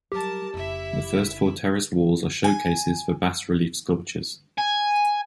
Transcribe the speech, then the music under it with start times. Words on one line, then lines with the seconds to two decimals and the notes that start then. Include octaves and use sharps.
The first four terrace walls are showcases for bas-relief sculptures.
0.12 F#3 G3 G4 A#4 A5
0.54 F1 C#3 E4 E5
2.44 G#5
4.58 G#5